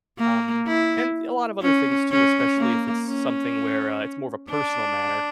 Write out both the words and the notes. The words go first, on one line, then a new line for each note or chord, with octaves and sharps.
Um, and a lot of other things too, especially if it's s something where, uh, it's more of a personal manner.
A#3
E4
C#4
C#4
A#3
C#4
D4